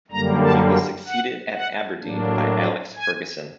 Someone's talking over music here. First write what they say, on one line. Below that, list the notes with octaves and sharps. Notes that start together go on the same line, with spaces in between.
He was succeeded at Aberdeen by Alex Ferguson.
F#2 D3 G3 A#3 A#5
A5
F#5
F#5
A2 F#3 A#3 D4
G#5